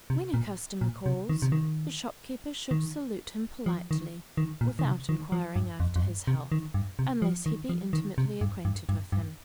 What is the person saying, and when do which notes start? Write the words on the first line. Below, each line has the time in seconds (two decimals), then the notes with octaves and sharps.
When a customer calls, the shopkeeper should salute him politely, without inquiring after his health, unless he be intimately acquainted with him.
0.10 C3
0.34 A#2
0.81 A#2
1.06 C3
1.29 D#3
1.42 C3
1.52 D#3
2.71 D#3
3.66 F3
3.91 D#3
4.37 D#3
4.61 A#2
4.79 D#3
4.85 C3
5.09 D#3
5.32 F3
5.56 G2
5.80 F2
5.96 F2
6.04 G2
6.27 C3
6.52 D#3
6.74 G2
6.99 C3
7.22 F3
7.46 D#3
7.69 F3
7.93 D#3
8.18 C3
8.41 G2
8.65 G2
8.89 G2
9.12 G2